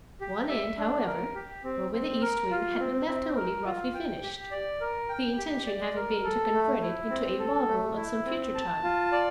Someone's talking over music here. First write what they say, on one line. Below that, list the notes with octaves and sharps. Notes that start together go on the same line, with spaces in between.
One end, however, over the east wing, had been left only roughly finished, the intention having been to convert it into a ball-room at some future time.
G4
E5
D4
A#4
G4
C4
C4
A#4
F4
C4
C4
A#4
F4
G5
G4
D5
A#4
G5
G4
D5
A#4
A4
A3
E4
C4
A4
A3
E4
C4
A5
F4
D5